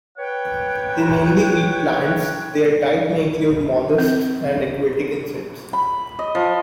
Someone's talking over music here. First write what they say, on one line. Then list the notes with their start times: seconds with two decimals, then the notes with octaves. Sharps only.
They mainly eat plants; their diet may include molluscs and aquatic insects.
0.17 B4 C#5 F#5 G5
3.98 C4
5.73 B5
6.19 D#5
6.35 F3